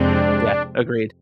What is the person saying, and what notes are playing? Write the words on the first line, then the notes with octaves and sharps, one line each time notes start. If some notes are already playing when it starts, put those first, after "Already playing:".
Yeah. Agreed.
Already playing: F2 C3 G#3 C4 D4